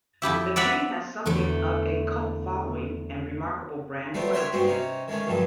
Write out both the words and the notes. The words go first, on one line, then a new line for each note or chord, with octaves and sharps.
The chain has something of a cult following and remarkable brand loyalty.
F2 E4 G4 E5
D5 E5 F#5 B5
E2 D3 A3
G3 A3 B3 C4 G4
D#3 C4 C5 C#5 E5 C6
G2 G#3 B3 C4 F#4
C3 C#4 D#4
D#3 G#3 A3 C#4
G2 A#2 D3 F3 F#3